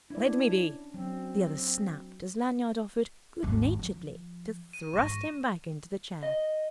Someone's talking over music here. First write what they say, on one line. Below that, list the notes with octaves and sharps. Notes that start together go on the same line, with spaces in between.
"Let me be," the other snapped as Lanyard offered good-naturedly to thrust him back into the chair.
C#4 D4 E4 D5
F#3 C4
G#1 D#2
F3
D#7
G#2 F3 C#6 A#6 D#7
D#5